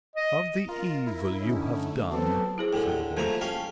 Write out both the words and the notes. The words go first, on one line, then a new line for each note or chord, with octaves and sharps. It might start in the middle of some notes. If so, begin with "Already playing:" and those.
"Of the evil you have done," said the voice.
D#5
F4 A#4
E4
D3 C#4 D#4
A3
F#3 B3 C4 A4
E4 G#4 C5
A2 D3 G5 G#5
G4
F3 G3 A3 A#3 A#5
C#4 G4 F5 A5